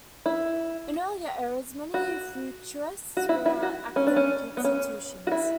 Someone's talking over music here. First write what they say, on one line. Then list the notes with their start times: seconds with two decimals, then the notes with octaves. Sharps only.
In earlier eras, many futurists were at academic institutions.
0.26 E4
1.94 F#4
3.17 F#4
3.29 E4
3.46 E4
3.62 F#4
3.96 C#4
4.07 D4
4.16 C#4
4.57 B3
4.64 C#4
5.27 F#4
5.32 E4